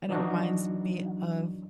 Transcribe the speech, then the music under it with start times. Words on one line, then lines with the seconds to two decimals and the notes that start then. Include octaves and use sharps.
and it reminds me of,
0.09 E3 F#3 D4 D#4 F#4